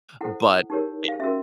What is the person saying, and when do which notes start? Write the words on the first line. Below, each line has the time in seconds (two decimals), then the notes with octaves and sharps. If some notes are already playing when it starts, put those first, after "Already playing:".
but i
0.21 E4 A4 C5 F#5
0.70 D#4 G4 A#4 C#5
1.08 F5
1.19 C#4 F#4 A#4 E5